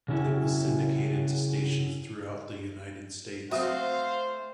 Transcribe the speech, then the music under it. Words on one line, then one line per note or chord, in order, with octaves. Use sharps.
It was syndicated to stations throughout the United States.
C#3 C#4 E4 F#4
A3 C4 F#4 C5 E5 F5 D#6